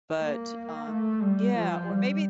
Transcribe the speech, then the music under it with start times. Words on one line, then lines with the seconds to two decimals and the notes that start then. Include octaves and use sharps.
But, uh Yeah, or maybe
0.20 A#3
0.87 A3
1.22 G3
1.55 F3
1.89 G3